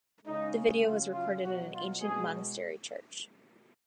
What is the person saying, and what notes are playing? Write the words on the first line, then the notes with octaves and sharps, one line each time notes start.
The video was recorded in an ancient monastery church.
C#3 G#3 D#4
C#3 F#3 F4
F4
B2 F#3 F#4
F4
B2 G#3 G#4